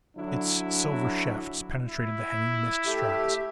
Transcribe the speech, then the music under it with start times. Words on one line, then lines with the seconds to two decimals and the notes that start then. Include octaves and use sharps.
Its silver shafts penetrated the hanging mist-stratas.
0.17 D3 F#3 D4 E4
1.88 E4
2.86 A3 G4 E5